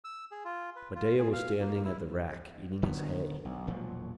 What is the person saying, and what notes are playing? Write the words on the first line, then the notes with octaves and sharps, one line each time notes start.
Medeah was standing at the rack, eating his hay.
E6
G#4
F4
B4
F4
G#4
F5
A#3
E4
D1 D3 D#3 B3
B1
E1 A#2 F3 F#3